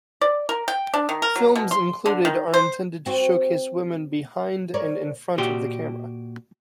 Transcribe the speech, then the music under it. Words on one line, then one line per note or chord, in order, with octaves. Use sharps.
Films included are intended to showcase women behind and in front of the camera.
D5
A#4
G5
D4
D#3
A#4
F#3
B2
C6
D3
D#3
C5
C4 F#4
A#4 C#5 D5
A#2 F#4 G4 C6